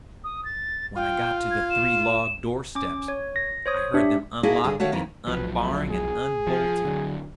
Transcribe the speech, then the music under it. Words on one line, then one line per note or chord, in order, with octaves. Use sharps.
When I got to the three log doorsteps I heard them unlocking and unbarring and unbolting.
D#6
A6
F4 G5
G#6
E7
C#4 D6
C#5
A#6
C5 C#5 D#6
D4 G4 E5
A#3 D4 E4 F#4 G#4 D#5
G2 D3 G#4
A3 F#4 C#5 F5
F2 D#3 E3
B1 F3 F#3 B4
A3
G#4
F3
D3 F#3